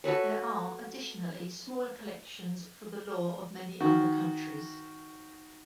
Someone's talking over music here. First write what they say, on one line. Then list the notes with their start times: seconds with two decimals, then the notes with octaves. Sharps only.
There are, additionally, smaller collections for the law of many other countries.
0.04 F#4 A4 B4 C#5
3.80 D#3 F#4